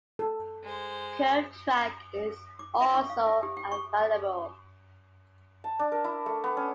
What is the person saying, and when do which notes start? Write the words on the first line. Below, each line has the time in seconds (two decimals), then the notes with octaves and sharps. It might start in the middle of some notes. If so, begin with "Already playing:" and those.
Curved track is also available.
0.19 A4
0.63 G#3 C5
2.59 D6
2.81 E5
2.94 C#6
3.10 F5
3.27 E5
3.43 G4
3.57 G5
3.72 C#6
5.64 A5
5.79 D4
5.92 A#4
6.04 E4
6.26 A3
6.44 B3
6.57 C#4